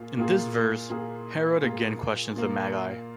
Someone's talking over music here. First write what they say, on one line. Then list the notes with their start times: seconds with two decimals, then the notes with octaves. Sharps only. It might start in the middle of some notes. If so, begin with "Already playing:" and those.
In this verse Herod again questions the magi.
Already playing: A#2 A#3 F4 G#4
0.17 A#2 A#3 F4 G#4
0.90 A#2 A#3 F4 G#4
1.63 A#2 A#3 F4 G#4
2.36 A#2 A#3 F4